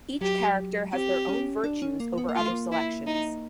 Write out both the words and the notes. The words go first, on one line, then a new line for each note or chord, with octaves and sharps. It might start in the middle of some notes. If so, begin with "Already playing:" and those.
Each character has their own virtues over other selections.
F#3 G4
C4 G4
C#4
D4
C#4
A#3
B3
A#3
A3 F4
A#3
E4
D#4